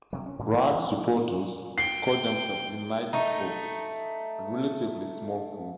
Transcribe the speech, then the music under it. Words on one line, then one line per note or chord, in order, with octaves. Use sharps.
Rad's supporters call themselves "United Force", a relatively small group.
C3 F#3
C#4
A2 C#3 E3 G3
D#3 F3 G3 B3
E3 F3 A#3 B3
G5 C7
A3 D#4